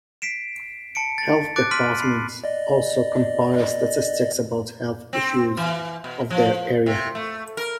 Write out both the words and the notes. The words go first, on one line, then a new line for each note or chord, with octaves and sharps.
Health departments also compile statistics about health issues of their area.
B6 C7 D7 E7
A5 C#7 D7
A6
D6 F#6 A6 D7
C6 F6 B6 D#7 F#7
B5 C7
D5 D#5
C4
E3
B2
F3
C3
A3
A#4